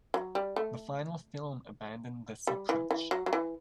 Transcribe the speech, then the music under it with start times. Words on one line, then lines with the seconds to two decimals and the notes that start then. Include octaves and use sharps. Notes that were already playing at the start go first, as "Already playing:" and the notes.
The final film abandoned this approach.
0.14 F#3
0.35 G3
0.56 A3
2.47 G3
2.69 E3
2.91 E3
3.11 F#3
3.26 F#3
3.33 E3